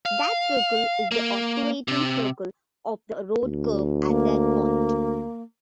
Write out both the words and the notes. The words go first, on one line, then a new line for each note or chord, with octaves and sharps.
That circle is the osculating circle of the road curve at that point.
F5
A#3
C3
D2
A#3